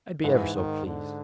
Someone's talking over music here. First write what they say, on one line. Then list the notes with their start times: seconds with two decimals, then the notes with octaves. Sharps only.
I'd be ever so pleased.
0.24 G#2 E3
0.55 D#3
0.86 D3